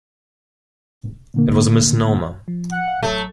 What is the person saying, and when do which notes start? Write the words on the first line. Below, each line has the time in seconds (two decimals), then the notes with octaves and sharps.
It was a misnomer.
1.34 A#2 D3 A#3
2.48 F3
2.72 F#5
2.88 F5
3.03 A1 F#3 A3 A4